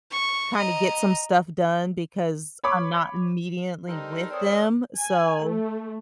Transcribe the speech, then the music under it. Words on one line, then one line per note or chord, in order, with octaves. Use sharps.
kinda get some stuff done, because I'm not immediately with them, so
C#6
D#5 A#5
C#5 B5 C#6 D6
G3 D#4 A4 A#4 C5
C4 C#5 D5 D#6
G#5
A3